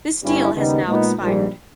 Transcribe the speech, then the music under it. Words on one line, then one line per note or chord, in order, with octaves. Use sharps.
This deal has now expired.
G1 G2 G3 C#4 E4
D#2 C#3 G3 B3 D#4
A#2 G#3 B3 D#4
A#1 G#2 G3